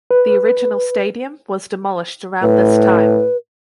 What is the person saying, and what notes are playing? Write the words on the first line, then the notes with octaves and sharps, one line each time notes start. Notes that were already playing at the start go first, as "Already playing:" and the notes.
The original stadium was demolished around this time.
B4
A2 B4